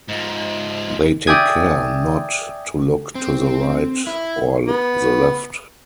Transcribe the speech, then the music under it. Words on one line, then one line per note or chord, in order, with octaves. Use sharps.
They take care not to look to the right or the left.
G#2 F3
D5 E5 G5 G#5 D#6 G#6
C4
E4
B3